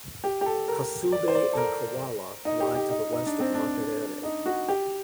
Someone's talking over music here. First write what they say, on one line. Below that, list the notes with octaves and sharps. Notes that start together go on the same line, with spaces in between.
Kasubi and Kawaala lie to the west of Makerere.
G4
G4
A4
A#4
D5
C5
D5
A4
A#4
D#4
G4
G4
D#4
D#4
D4
C4
D4
D#4
F#4
G4